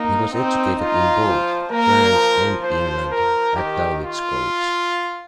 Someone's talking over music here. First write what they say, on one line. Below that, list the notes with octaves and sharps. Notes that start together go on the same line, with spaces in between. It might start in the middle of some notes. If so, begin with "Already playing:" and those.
He was educated in both France and England at Dulwich College.
Already playing: A#3 D#4
C4 D#4
D#4 F4
F3
A#3 A#4
F3
C5
A#4
D#3 G4
F4